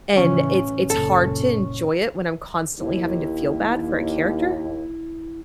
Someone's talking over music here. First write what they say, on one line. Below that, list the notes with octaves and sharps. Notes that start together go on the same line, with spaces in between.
And it's it's hard to enjoy it when I'm constantly having to feel bad for a character.
A2 C#3 E3 C#4
F#1 A#2 A4
D#2 E4